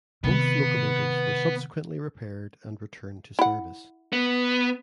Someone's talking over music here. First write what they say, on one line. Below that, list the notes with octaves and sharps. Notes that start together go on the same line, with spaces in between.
Both locomotives were subsequently repaired and returned to service.
C3 D#3 B3
E4 F#5
B3